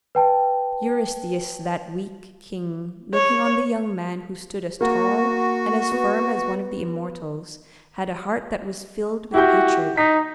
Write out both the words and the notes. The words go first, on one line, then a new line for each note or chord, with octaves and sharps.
Eurystheus, that weak king, looking on the young man who stood as tall and as firm as one of the immortals, had a heart that was filled with hatred.
B4 G5 A5
C#5
A#3 F#4
B3
E4 F#4 G4 G6
D#4 B6